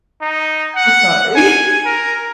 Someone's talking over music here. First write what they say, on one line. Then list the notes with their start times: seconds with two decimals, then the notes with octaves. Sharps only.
I'm sorry.
0.21 D#4
0.76 F#5
1.35 G#5
1.85 A#4